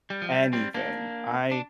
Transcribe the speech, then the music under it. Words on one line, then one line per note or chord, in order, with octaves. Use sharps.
anything. I
G3
F3
G3
G3 C4
A#3 D4
D4